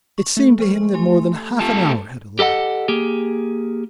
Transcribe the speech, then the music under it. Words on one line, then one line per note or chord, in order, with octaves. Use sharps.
It seemed to him that more than half an hour had elapsed.
C#6
A3
F3 C5 C#6
G4 G#5 C6
A3 C4 F4 G4 A5
G4 A4 D#5 F#5
A#3 G4 G#4